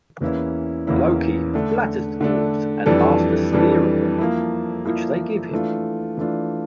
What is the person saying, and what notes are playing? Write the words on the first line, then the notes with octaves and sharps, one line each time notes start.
Loki flatters the Dwarves and asks the Spear of them, which they give him.
E2 E3 A#3 C#4 E4
E2 E3 A#3 C#4 E4
D3 A3 D4
D3 A3 D4
F2 E3 G3 D4 A4
F2 E3 G3 D4 A4
F3 A#3 E4
F3 A#3 E4
E3 A3 D4 F4
E3 A3 D4 F4